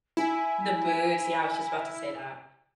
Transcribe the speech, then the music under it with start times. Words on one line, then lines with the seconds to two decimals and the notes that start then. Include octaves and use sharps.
The boots, yeah, I was just about to say that.
0.17 E4 G#5